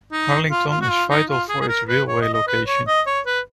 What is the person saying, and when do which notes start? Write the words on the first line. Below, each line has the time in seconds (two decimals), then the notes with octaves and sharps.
Arlington is vital for its railway location.
0.12 D#4
0.51 F4
0.70 F4
0.81 F#4
0.90 F4
1.10 D#4
1.30 F4
1.49 G#4
1.61 G#4
1.68 A#4
1.89 B4
2.08 C#5
2.21 D#5
2.34 D#5
2.48 B4
2.67 C#5
2.87 D#5
3.07 C#5
3.26 B4